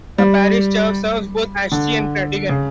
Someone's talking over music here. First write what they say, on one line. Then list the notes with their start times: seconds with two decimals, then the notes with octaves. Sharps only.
The parish church serves both Aeschi and Krattigen.
0.18 G3
1.72 D3
2.49 C#3